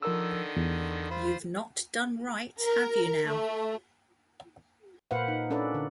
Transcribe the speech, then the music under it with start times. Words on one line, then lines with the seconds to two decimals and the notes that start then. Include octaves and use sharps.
You’ve not done right, have you, now?
0.02 D3 D#3 F3 A#4 E6
0.57 E2
1.11 F4 C5 B5
2.63 A#4
3.29 A3
5.11 A#2 A#3 B4 C5 F5 F#5
5.28 D#4
5.50 C#4 D4 A4 B4 D5
5.74 D3